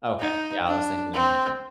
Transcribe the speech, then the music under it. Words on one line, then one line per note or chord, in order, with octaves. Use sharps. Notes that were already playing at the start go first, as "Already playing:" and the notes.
Okay. Yeah, I was thinking of a different
D#4
D4
C4